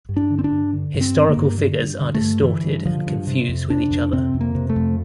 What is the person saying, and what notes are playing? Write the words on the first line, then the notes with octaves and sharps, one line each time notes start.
Historical figures are distorted and confused with each other.
G2
D4
D3
C4
D4
G2
D3
G2
C4
D3
A#3
G2
D3
G2
D3
A3
G2
D3 E3
G2
D3 F3
G2
C3
F2
C3 D4
F2
C3 C4
F2
A#3
C3
A3
F2